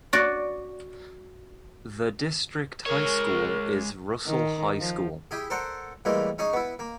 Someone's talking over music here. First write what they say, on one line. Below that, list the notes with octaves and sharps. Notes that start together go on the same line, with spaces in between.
The district high school is Russell High School.
F#4 D5
G#3 A#4 C#5
D#3
F3
E4 G4 G#4
A4 A#4 C5 D5 F#5
A2 E3 G3 G#3 A#3
C#4 D#4 G#4 C#5
B3 E4
A#3